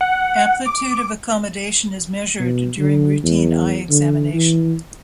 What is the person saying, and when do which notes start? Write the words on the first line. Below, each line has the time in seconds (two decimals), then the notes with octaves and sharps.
Amplitude of accommodation is measured during routine eye-examination.
0.01 F#5
0.66 D6
2.40 B2
2.79 D3
3.24 E2
3.90 D3
4.33 E3